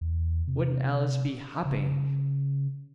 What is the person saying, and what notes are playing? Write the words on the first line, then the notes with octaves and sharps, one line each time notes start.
Wouldn't Alice be hopping!
E2
C3
C#3